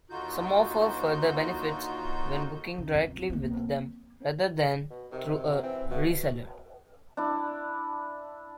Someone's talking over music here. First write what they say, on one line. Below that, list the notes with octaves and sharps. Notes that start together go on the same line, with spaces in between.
Some offer further benefits when booking directly with them rather than through a reseller.
D#2 D3 D#4 F4 F#4 G6
C#3
F2
A#3 C4
B2
C3 D#3
F#3
E3 C4
B2 E3
D4 E4